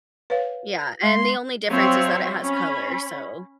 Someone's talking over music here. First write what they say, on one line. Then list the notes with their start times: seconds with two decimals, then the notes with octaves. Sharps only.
Yeah, and the only difference is that it has color, so,
0.30 B4 C#5 F5
1.03 G#3 C6
1.67 F#3 C4 F4 C#5 E5
2.42 C#4 B5